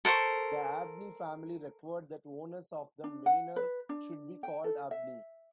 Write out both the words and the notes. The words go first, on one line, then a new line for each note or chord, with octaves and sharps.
The Abney family required that owners of the manor should be called Abney.
A4 A#4 C5 C#6
D4
F#5
B4
D4
G5
A4
E5